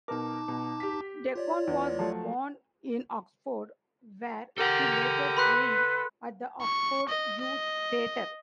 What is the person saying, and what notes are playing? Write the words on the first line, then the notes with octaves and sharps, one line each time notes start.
Deacon was born in Oxford, where he later trained at the Oxford Youth Theatre.
B2 D#4 A#4 A5 D6
B2
G4 B6
F4 C#5 D5
E2
F3 F#3 A3
G4 A4 A#4 F#5
B4 B5 C6 F#6
C#6
D#5
D#5